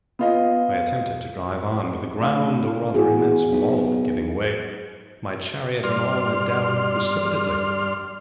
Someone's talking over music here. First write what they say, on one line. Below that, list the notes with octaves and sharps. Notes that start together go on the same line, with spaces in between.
I attempted to drive on, but the ground, or rather immense vault, giving way, my chariot and all went down precipitately.
B3 F4 D#5
D2 F5
E2 F#4 G#4
B1
G2 D5 C6 F6